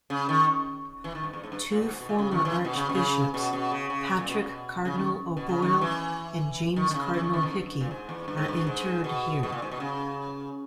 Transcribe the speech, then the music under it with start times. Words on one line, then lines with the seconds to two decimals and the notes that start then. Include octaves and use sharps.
Two former archbishops, Patrick Cardinal O'Boyle and James Cardinal Hickey, are interred here.
0.10 C#3
0.29 D#3
1.04 E3
1.15 D#3
1.24 G2
1.33 E2
1.44 G#2
1.52 G2
1.71 A#2
1.81 B2
1.90 G#2
2.00 B2
2.09 A#2
2.18 C#3
2.31 D#3
2.45 E3
2.65 B2
2.76 C#3
2.89 B2
2.95 C#3
3.34 B2
3.53 B2
3.72 C#3
3.90 C#3
4.09 B2
4.19 A#2
4.29 B2
4.39 A#2
4.47 B2
4.85 C#3
4.98 D#3
5.37 B2
5.49 C#3
5.62 D#3
5.81 E3
6.76 D#3
6.91 D#3
6.94 C#3
7.14 E3
7.23 D#3
7.33 D#3
7.43 E2
7.52 G2
7.81 A#2
7.91 G#2
8.09 E2
8.28 G2
8.37 G#2
8.48 G2
8.67 G#2
9.04 B2
9.43 B2
9.52 A#2
9.62 G#2
9.71 B2
9.80 C#3